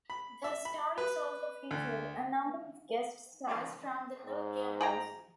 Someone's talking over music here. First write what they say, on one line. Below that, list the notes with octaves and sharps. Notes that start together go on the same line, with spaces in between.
The stories also featured a number of guest-stars from the Lug universe.
B5
E5
B5
B4
D2
G#2
G#4 G5 A#5